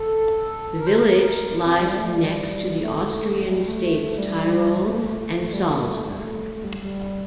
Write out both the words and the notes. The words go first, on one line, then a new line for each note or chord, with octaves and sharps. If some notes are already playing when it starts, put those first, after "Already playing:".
The village lies next to the Austrian states Tyrol and Salzburg.
Already playing: A4
A#4
C5
A#4
C4
G3
A3
G3
A3
G3
A3
A3
A3
G3
A3
A#3
A3
A3
A3
G3
A#3
A3
G3
A3
A3
G3
G3